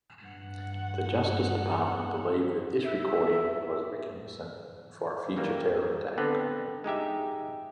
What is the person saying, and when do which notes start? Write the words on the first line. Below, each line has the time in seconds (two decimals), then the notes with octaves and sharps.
The Justice Department believed that this recording was reconnaissance for a future terror attack.
0.25 G2 F#5
2.84 E5
5.36 E3 G3 A#3
6.18 D3 B3 C4 A4 B4
6.84 G#3 D#4 G4 E5